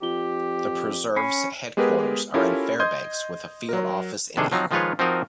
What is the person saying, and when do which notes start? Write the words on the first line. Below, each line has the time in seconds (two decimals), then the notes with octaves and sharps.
The preserve's headquarters are in Fairbanks with a field office in Eagle.
0.02 F2 F4 G4 G7
1.16 C#4 B5 C7
1.77 G#3 B3 G4 G#4 A#4 B4
2.34 C#4 E4 F4 G4 A4 A#4
2.80 D#5 C6 D#6 G6 G#6
3.69 F#3 A#4
4.37 C3 D#3 D4 G#4 A4
4.52 F3 F#3 C4 D#4
4.71 D#3 F3 G#3 F4 B4 C#5
4.99 F3 C4 D#4 F#4 A#4 D#5